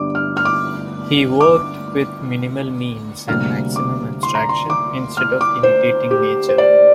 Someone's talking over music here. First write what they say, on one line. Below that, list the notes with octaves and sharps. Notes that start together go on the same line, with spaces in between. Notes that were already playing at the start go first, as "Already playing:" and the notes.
He worked with minimal means and maximum abstraction instead of imitating nature.
Already playing: G1 G2 D3 G3 D6
F6
F6
D6
D6
D2 C3 G3 A#3 F6
D6
C6
A#5
C6
D6
F6
D6
C5
G4
C5
D5